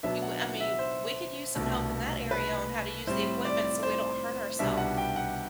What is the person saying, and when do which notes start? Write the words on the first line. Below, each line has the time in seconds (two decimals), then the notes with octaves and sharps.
you I mean, we could use some help in that area, on how to use the equipment, so we don't hurt ourself.
0.03 B2 F#3 B3 D4 E5
0.22 F#5
0.41 F#5
0.60 E5
0.79 C5
1.55 C2 B2 A3 D4
2.31 B4
3.07 A2 G3 C4 C5
3.45 D5
3.83 C5
4.59 C2 B2 G3 D4 E5
4.78 F#5
4.97 G5
5.16 F#5